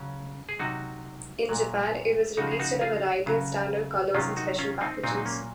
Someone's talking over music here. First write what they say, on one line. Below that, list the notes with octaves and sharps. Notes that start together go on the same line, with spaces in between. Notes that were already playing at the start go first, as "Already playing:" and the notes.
In Japan it was released in a variety of standard colors and special packages.
Already playing: C#3 F#3 C#4
G#4
C3 F#3 D#4 F#4
A#2 F#3
C#3 F3 D#4 F#4
G#4
D#4 F#4
F4 G#4
C#3 F#3
C3 D#3 F#3 C#4 F4
D#4 F#4
C#4 F4
C4 D#4
A#2 F#3 C4 D#4
D#4
A#3 C#4